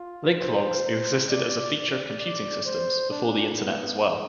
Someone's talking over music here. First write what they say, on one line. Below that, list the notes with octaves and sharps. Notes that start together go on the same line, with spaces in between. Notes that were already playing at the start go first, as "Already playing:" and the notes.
Linklogs existed as a feature of computing systems before the internet as well.
Already playing: F4
C5
D5
D5
D5
C5
D4
B3